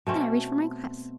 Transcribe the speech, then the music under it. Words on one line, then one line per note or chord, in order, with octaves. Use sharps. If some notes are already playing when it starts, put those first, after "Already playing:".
Then I reached for my glass.
B2 A3 C4 C#4